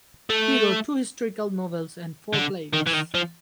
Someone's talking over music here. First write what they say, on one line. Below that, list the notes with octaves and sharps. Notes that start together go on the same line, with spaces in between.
He wrote two historical novels and four plays.
A3
D3
D#3
E3
D#3
F3